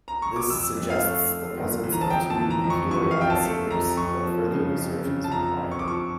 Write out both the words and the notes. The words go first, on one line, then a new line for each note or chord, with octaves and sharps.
This suggests the presence of two nuclear isomers but further research is required.
A#5
C#6
D6
F2 E6
F2
F5
A3
A3
G1
E3
A#5
A5
F2 G5
A5
E3
A#5
F2
C#6
E3 C#6
F5
F2 G5
A5
A3
F2 A#5
F2 C#6
F3
C#3
F2
C#3
A5
F2 A#5
F2
C#6
D6
F3 C#6